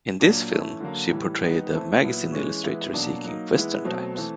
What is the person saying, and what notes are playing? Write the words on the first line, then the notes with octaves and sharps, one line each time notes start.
In this film she portrayed a magazine illustrator seeking western types.
A#2 F#3 A#3 D4
E3 A3 C#4 E4
D3 F#3 A#3
A2 E3 G3
D#3 G3 B3 D#4
E3 A3 C4 E4
A#2 F#3 B3 E4
E3 G#3 C#4
E3 G#3 B3 E4
B2 F#3 A#3 D4
F#3 A#3 D#4
E3 G#3 B3 E4
B2 F#3 A3 C4
E3 A3 C4